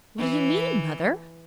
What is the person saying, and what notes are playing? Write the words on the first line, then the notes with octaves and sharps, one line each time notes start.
"What do you mean, Mother!"
E3